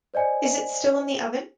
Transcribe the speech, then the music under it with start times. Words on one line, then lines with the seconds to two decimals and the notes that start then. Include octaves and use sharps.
Is it still in the oven?
0.14 C5 D5 D#5 G#5